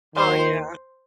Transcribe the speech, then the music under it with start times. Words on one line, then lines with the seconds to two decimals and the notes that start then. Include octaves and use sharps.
Oh, yeah.
0.15 D#2 D#3 C5